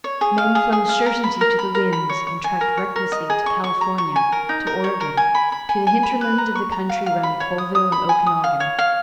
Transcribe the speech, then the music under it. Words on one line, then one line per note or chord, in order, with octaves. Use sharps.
Men flung certainty to the winds and trekked recklessly to California, to Oregon, to the hinterland of the country round Colville and Okanagan.
C#5
G#4
F5
G#4
G#4
F5
A#4
B5
A#4
B5
A#4
B5
C#5
C#5
G#5
A#4
C#5
A#4
D#5
G#4
C#6
C#6
A#5
C#6
G#5
A#4
D#4
A#4
C#5
A#4
G#5
B5
B5
G#5
G#5
B5
B4
A#5
C#6
A#5
F5
F5
B5
C#5
D#6
D#6
B5
G#5
D#6
F5
C#5
F5